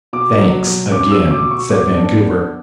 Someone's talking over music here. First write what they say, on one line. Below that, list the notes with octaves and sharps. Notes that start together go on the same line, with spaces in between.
"Thanks, again," said Vancouver.
B2 D6
F#3
B2
C#4 D6
E6
B2
D6
B2
C#6
B3 D6
D4
B3